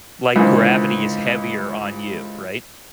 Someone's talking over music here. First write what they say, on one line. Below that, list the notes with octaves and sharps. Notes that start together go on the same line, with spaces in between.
Like gravity is heavier on you. Right?
C#2 D3 E3 A#3 C5